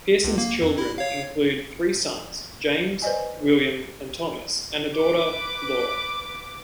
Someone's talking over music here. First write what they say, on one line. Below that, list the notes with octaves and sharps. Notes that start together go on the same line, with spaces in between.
Pearson's children include three sons, James, William and Thomas, and a daughter, Laura.
C#2
A#3
F2
E4
C#5 F5
B4 C5 D5 D#5 G#5
B4 D6